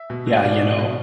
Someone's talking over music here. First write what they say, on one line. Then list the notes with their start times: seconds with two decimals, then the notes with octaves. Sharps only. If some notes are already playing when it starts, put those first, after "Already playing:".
Yeah, you know,
Already playing: E5
0.10 B2
0.27 B2
0.44 B2 D5 F5
0.61 B2
0.78 B2